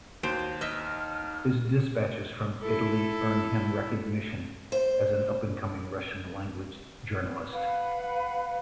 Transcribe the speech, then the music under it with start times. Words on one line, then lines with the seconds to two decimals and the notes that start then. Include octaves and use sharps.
His dispatches from Italy earned him recognition as an up-and-coming Russian-language journalist.
0.23 D#2 F#4 C5 D7
0.61 D#4 D#5 E5 F6
2.62 E4 A4
4.72 C5
7.52 B4 F5 F#5 B5